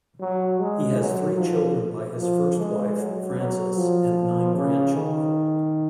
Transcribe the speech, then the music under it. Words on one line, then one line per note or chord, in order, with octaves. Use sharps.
He has three children by his first wife Frances and nine grandchildren.
F#3
G#3
F#3
F3
F3
G#3
F#3
F#3
F3
C#3
D#3